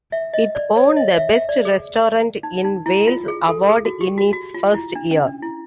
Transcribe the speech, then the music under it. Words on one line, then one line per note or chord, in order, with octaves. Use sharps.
It won the "Best Restaurant in Wales" award in its first year.
E5
D#5
D5
C#5
D#5
E5
E5
D5
G#4
D#4
D#4
E4
F4
G#4
A4
G#4
F#4
G4
F#4
F#4
F4
E4
D4
C#4
D4
E4